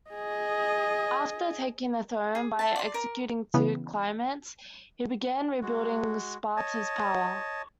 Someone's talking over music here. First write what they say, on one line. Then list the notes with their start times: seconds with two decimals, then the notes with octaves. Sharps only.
After taking the throne by executing two claimants, he began rebuilding Sparta's power.
0.10 G#4 D#5
2.35 G#4
2.59 E5 A5
2.76 D5 C6
2.94 A#4
3.54 C#3 E3 B3
5.62 G#3 F#4
6.57 C#5 D#5 A5